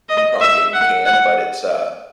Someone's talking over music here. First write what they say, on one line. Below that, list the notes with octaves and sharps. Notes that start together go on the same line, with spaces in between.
you proba yeah, you can, but it's, uh
D#5
E5
F#5
F#5